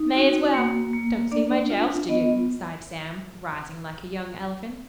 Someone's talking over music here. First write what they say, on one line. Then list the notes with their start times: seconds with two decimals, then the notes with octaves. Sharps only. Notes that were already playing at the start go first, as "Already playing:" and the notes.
"May as well; don't see much else to do," sighed Sam, rising like a young elephant.
Already playing: D#4
0.16 F#4
0.54 A#3
0.94 A#3
1.32 D4 D5
1.70 F4
2.09 B3 D#5